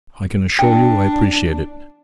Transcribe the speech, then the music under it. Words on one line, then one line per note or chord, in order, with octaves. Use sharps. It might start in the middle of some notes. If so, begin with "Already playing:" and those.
I can assure you I appreciate it.
D4 G5